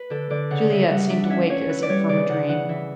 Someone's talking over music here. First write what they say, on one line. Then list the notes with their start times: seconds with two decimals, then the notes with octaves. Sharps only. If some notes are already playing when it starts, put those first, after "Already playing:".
Juliette seemed to wake as if from a dream.
Already playing: B4
0.10 D3 A4
0.30 D3 D5
0.51 C#3 F#5
0.70 C#3 E5
0.90 G3 F#5
1.10 D4 E5
1.24 F#5
1.30 C#4 E5
1.50 C#4 C#5
1.69 E4 B4
1.83 D5
1.89 G3 C#5
2.09 C#3 D5
2.29 C#3 F#5
2.49 E3 F#5
2.69 E3 E5